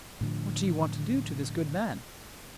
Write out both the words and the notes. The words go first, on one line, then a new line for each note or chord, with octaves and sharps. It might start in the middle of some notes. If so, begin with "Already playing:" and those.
What do you want to do to this good man?
A2 D3 F3